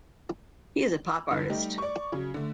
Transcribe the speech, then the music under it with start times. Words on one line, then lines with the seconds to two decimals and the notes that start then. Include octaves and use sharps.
He is a pop artist.
1.31 E2 G2 D3
1.49 G3 A3 D#4 G4
1.78 D5 C#6
2.12 C#3 F#3
2.34 D3 A3